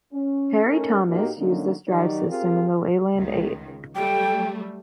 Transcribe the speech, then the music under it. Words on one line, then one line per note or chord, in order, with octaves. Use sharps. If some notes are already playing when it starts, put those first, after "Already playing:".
Parry-Thomas used this drive system in the Leyland Eight.
C#4
A3 C#4 D#4 A#4
A2 A#3 D#4 F#4 G4
D3 F#3 A#3 C#4 D#4
D#3 F#3 D#4 G4 D5
C4 F4 G4 G#4 A#4
C#2 D#3
F#3 G3 A3 G5